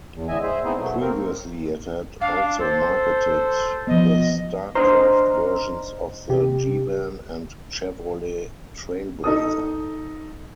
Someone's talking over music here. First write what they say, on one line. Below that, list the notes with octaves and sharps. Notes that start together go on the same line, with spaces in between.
Previously, it had also marketed the Starcraft versions of the G-Van and Chevrolet Trailblazer.
E2
A2 D3 D#5 E5 G#5
G#4 C5 E5
B3 C4 D#4 E4 G#4 C5
B2 F#3 A3
A#3 C4 A#4
D4 F5
A4 C5
F3 B3 D#5
D4 D#4 C5 A#5 C6 F6
C3 G4
D#4 A4 D#6